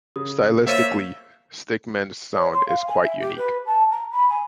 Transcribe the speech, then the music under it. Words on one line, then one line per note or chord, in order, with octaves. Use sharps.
Stylistically, Stick Men's sound is quite unique.
C#3 D#6
A#3 C5 C#5 E5 F5 E6 A6 D#7
C#5
C6
F5
G#5
E5
G4
B4
A5
A#5
B5
G#5